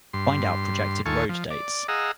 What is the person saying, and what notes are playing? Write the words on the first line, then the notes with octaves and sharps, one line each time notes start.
Find out projected road dates.
G2 C6
D#2 F4 A4 G#5 C#6
F3
D5
G#4 D#5 F5 F#5 A#5 E6